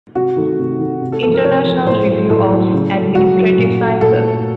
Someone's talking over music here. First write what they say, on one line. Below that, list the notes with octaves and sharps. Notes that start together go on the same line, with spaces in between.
International Review of Administrative Sciences.
C3 F#4
D#3 A3
C3
D#3 A3
C3
A4
F3 A3 A4
A#4
C3 C#5
F3 A3
A2 C5
F#3 A3
A2 A4
F#3 A3
C#3
F#3 A3
C#3 F#4
F#3 A3
A#2
A3
A#2 A4
A3